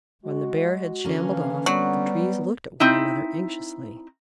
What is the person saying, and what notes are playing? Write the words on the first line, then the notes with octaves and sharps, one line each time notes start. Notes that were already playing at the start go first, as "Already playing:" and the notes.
When the Bear had shambled off, the Trees looked at one another anxiously.
G#3 F#4
D3 A#3 C#4
E3 F5
F#3 G3 B3
C4 D#4 E4